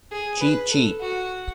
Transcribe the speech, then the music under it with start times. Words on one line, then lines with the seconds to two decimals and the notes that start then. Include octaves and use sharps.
Cheap, cheap.
0.11 G#4
0.40 B4
0.70 A4
1.00 F#4